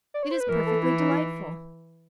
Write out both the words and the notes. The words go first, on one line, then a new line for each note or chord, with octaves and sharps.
It is perfectly delightful.
D5
C#5
C5
B4
E3 A#4
A4
E4
D#4
E4
D#4